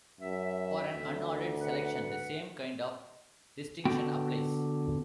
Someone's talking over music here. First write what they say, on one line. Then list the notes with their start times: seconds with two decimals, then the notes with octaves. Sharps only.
For an unordered selection the same kind of distinction applies.
0.21 F#2 E5
0.93 D2
1.61 B4 F#5
3.85 D3 B3 F#4 G5